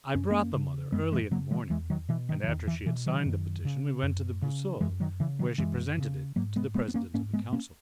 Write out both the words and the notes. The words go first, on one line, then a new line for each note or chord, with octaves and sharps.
I brought the mother early in the morning, and after she had signed the petition we went to the Boussole, where she presented it to the President of the Council.
F#2 C#4
A#3 C#4
C#3
F#2 G#3 B3
E3 G#3
C#3 F#3 A#3
E3 G#3
E2 E3 G#3
D#3 F#3
B2 E3
D#3
E3
E2 D#3
E3
B2 E3
D#3 F#3
F#2
C#3
F#2
C#3
F#2 E3 G#3
D#3 F#3
C#3 E3
D#3 F#3
F#2 E3 G#3
C#3
G#2 F#3 A#3
G#3 B3
G#3 B3
B3
A#3 C#4
G#2 A#3 C#4
G#3 B3
A#3 C#4